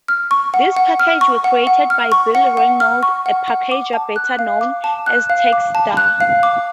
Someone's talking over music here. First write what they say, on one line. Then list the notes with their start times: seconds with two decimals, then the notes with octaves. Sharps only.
These packages were created by Bill Reynolds, a packager better known as "Texstar".
0.08 F6
0.31 C#6
0.54 F#5
0.77 F#5
1.00 F6
1.21 C#6
1.44 F#5
1.67 F#5
1.90 F6
2.12 C#6
2.35 F#5
2.57 F#5
2.80 F6
3.03 C#6
3.26 F#5
3.48 F#5
3.71 D6
3.93 A5
4.16 F#6
4.39 F5
4.61 D6
4.84 A5
5.06 F#6
5.30 F5
5.53 D6
5.75 A5
5.97 F#6
6.20 F5
6.43 D6